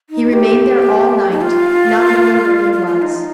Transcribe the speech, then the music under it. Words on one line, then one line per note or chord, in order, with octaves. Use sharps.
He remained there all night, not knowing where he was.
D#4
G4
D#4
F4
F4
F4
D#4